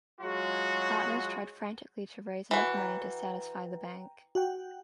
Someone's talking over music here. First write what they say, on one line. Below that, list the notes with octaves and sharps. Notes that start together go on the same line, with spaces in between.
The partners tried frantically to raise enough money to satisfy the bank.
F#3 G#3 F4 F#4
E3 F#4
G5 A#5
F#4 F#5 G5